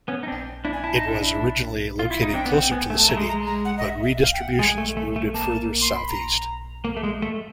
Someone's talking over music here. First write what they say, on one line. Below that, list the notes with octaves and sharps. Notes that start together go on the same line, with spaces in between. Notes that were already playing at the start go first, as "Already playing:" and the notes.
It was originally located closer to the city, but redistributions moved it further south-east.
B3 C#4
D#4
C4 D4
D4 E4
G#5
E4 A5
D#4
D4 E4
F4
E4
D#4
C4 D4 G5
B3
C4 F#5
G5
B3 G#5
A3
A5
A3 A#5
G#3
A#5
G#3
A#5
F#5
D#5
E5
E5
F5
G5
F#5
G#3 G#5
A3
A3
A3
A#3 A5
C6
B5
A#5
A#3
A3
G#3
A3